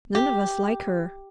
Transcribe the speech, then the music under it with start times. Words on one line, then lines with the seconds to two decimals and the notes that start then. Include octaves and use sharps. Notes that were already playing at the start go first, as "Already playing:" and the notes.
"None of us like her."
0.15 G4